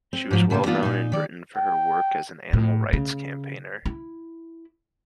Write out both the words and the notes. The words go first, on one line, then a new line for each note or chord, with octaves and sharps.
She was well known in Britain for her work as an animal rights campaigner.
C4
G#2 F3 F#3
A2 C#3 G3 G#3 A#3
E3 A#3 B3 D4 D#4 F4
A#2 D#4
D#3 D5
G5
A2
C#3
E4